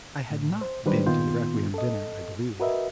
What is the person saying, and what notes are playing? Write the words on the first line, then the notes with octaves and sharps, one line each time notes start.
I had not been to the requiem dinner, I believe.
A2
C5
D#3 F#3 G3 D4 B4 C5
A#2 D#3 B3 F4 C6 G6
A4 D#5
F#4 A#4 B4 D#5 E5